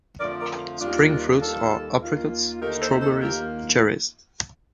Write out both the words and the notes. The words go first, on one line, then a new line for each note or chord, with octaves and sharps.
Spring fruits are apricots, strawberries, cherries.
F2 D3 F3 A3 A#4 D5
A#4 D5
D#2 D#3 G3 D4 F4
F4
D#2 D#3 G3 F4 A4
D#2 D#3 A#3 F4
D#2 D3 A3 D#4 G4 A#4
A4 C5
A4 C5
D#2 D#3 A#3 F4 G4 A#4